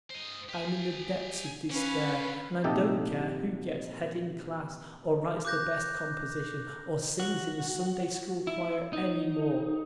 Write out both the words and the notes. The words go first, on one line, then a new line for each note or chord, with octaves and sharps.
I'm in the depths of despair and I don't care who gets head in class or writes the best composition or sings in the Sunday-school choir any more.
C5 D#5
G4 G#5
D3 C#4 B4 F5
A#1 C3 D#4 G4 A4
D6 F#6 G6 A#6
F#4
E4
D#4